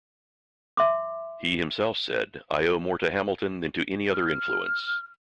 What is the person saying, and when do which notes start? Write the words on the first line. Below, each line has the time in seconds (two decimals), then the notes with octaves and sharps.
He himself said I owe more to Hamilton than to any other influence.
0.77 E5 C6 D6
4.13 F6